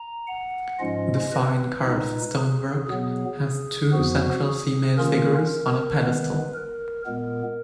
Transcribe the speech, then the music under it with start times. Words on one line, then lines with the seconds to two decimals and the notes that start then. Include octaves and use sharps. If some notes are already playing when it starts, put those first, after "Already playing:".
The fine carved stonework has two central female figures on a pedestal.
Already playing: A#5
0.27 F#5
0.79 G#2 F3 G#3 C#4 F4 D#5
1.32 B4
1.84 A#2 G#3 D#4
2.36 G#4
2.88 B2 F#3 B3 G#4
3.93 F2 F3 B3 F#4
4.45 G#4
4.97 D#3 A#3 C#4 F4 A#4
6.02 D#3 G#3 B3 B4
6.54 A#4
7.06 A#2 G#3 B3 A#4